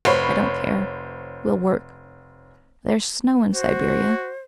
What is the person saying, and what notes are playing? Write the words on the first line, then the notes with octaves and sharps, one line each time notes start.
I don't care ... we'll work ... there's snow in Siberia....
F1 C5 C#5 B5
F#4 C5